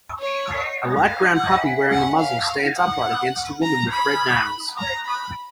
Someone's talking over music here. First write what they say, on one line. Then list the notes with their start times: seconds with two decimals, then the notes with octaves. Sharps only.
A light brown puppy wearing a muzzle stands upright against a woman with red nails.
0.19 C#5
1.06 F5
1.34 F#5
1.92 F#5
2.20 F5
2.49 F5
2.77 F#5
3.63 A#5
3.92 B5
4.78 A#5
5.06 B5